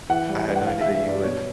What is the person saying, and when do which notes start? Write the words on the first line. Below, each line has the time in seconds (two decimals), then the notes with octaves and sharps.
I I had no idea that you would
0.09 E3 F#5
0.29 G3
0.48 G2
0.56 F#5
0.67 E3 F5
0.81 E5
0.86 G#3
0.95 E5
1.04 G2 D5
1.23 B2 C#5